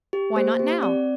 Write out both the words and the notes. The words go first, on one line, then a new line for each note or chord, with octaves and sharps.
Why not now?
G4
A#3 C5
G4
C4 D5